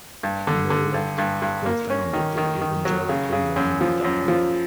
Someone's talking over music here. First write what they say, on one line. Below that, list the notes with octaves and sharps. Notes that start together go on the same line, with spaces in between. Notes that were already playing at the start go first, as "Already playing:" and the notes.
Millet co-founded the evangelical-Mormon dialogue.
G2
D3
D3
G2
G2
G2
A#3
C#4
D#3
D#3
D#3
F#3
C#3
C#3
F#2
F3
F#2
F3